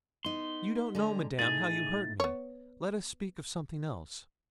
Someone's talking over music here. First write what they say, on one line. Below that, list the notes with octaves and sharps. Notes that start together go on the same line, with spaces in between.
You don't know, Madame, how you hurt me. Let us speak of something else.'
B3 D#4 C6
D3 G#3 A#5
A2 D#4 G#4 A6
B3 C#5